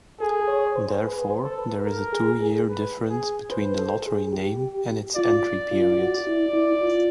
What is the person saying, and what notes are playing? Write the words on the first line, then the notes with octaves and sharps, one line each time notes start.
Therefore, there is a two-year difference between the lottery name and its entry period.
G#4 A4
C#5
C5
G#4 B4
C5
A4
B4
A4 A#4
G#4
G#4
B4
G#4
B4 C5
A4
G#4
G4
F4 D5
F4
F#4
E4
E4
F4